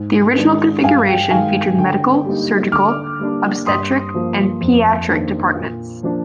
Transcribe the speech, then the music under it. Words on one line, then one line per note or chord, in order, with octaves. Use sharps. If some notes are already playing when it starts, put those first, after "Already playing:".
The original configuration featured medical, surgical, obstetric and paediatric departments.
Already playing: G#2
D#3 G#3 D4
G2 F5 G#5
G5
D#3 G#3 F5 G#5
D3 G5
G3 A#3 D#4
D3 D6 F6
G3 A#3 D4
G2 C6 D#6
F3 A#3
F2
D#3 A#3 D4
A#2
F3 A#3 D4